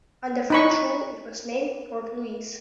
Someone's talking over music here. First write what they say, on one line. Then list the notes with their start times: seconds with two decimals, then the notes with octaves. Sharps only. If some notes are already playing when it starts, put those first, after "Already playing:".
Under French rule it was named Port Louis.
0.50 D#4 B5 C#6